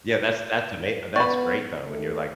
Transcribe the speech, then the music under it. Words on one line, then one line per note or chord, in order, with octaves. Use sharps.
Yeah. That's that's ama uh, that's great, though, when you're, like,
B3 D5 B5 C#6
A3